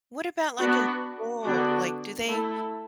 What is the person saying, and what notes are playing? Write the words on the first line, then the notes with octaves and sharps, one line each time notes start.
What about, like, in school, like, do they
B3 D4 F#4
D3 B3 D4 F#4
A3 E4 A4